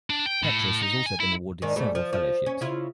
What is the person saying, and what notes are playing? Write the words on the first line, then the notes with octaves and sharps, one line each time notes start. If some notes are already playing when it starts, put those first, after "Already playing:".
Petrus has also been awarded several fellowships.
D4
G5
A2
D#4
G#5
E4
G#2 D#3 D4
G#2 G3 A3
F3
F3
C#4
C#3 E4 F4